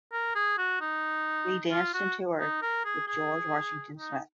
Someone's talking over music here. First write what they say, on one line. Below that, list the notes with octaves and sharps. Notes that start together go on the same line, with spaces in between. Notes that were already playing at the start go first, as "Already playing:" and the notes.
Lee danced and toured with George Washington Smith.
A#4
G#4
F#4
D#4
F4
F#4
D#4
A#4
G#4
G#4
D#4